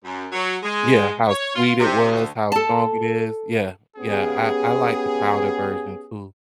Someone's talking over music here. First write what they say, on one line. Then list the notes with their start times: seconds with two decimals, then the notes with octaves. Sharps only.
Yeah, how sweet it was, how strong it is, yeah, yeah. I I like the powder version too.
0.05 F#2
0.32 F#3
0.63 G#3
1.29 C#5
1.54 F4
1.80 C3
2.11 D2
2.52 A4 A5
3.97 B3 C#4 G4 G#4